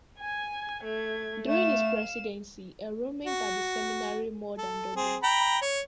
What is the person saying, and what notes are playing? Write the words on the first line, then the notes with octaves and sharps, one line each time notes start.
During his presidency, enrollment at the seminary more than doubled.
G#5 G#6
A3 G#6
A3 F5 E7
F#4
A4
C4 G#4
G5 A#5 B5
C#5